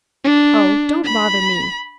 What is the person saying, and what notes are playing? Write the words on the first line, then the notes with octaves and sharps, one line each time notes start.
'Oh, don't bother me.
D4
B5